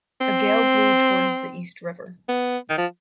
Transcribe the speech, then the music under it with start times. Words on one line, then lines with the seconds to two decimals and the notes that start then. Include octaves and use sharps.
A gale blew towards the East River.
0.21 C4
2.28 B3
2.70 D#3
2.78 F3